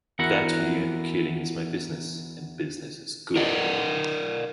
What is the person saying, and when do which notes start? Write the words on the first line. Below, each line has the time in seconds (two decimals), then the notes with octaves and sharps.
That year, Killing Is My Business... and Business Is Good!
0.19 E2 E4 F#4 A#4 F#5
3.36 A#4 D5 D#5